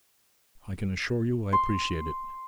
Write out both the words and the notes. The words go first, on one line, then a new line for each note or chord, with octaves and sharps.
I can assure you I appreciate it.
C6